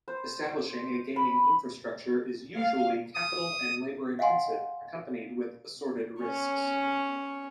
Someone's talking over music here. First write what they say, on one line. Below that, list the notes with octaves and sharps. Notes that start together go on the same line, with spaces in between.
Establishing a gaming infrastructure is usually capital and labor-intensive accompanied with assorted risks.
C5
B5
F5
D#6
D#5 F5 F#5 G#5 C6
C#4 C#5